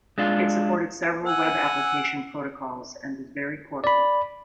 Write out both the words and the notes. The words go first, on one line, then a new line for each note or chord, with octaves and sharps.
It supported several web application protocols and was very portable.
G#3 D4 F4
F#5 G#5 E6
D5 B5